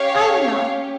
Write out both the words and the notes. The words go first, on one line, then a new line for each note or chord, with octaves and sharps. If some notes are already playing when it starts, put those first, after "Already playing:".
I don't know.
Already playing: C#4 G4 C#5 F5
C#4 G4